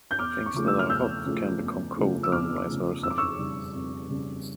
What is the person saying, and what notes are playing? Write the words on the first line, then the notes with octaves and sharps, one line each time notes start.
Things that are hot can become cold and vice versa.
G6
E2 D6 F6
C#6
C#3 F3 A3 D6
E6
F6
E2 E6 G6
C#3 F3 A3
E2
C#3 F3 A3
E6
E2 D6 F6
C#3 F3 A3
F2 E6
D6
C#6 E6
C#3 G3
F2
C#3 G3